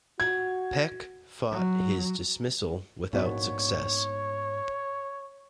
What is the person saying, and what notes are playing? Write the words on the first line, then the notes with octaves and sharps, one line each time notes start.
Peck fought his dismissal without success.
F#4 G#6
F#3
A#1 G#2 B2 B3 C#5 D5